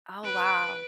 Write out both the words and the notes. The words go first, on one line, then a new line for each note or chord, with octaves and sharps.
Oh, wow.
B4 D7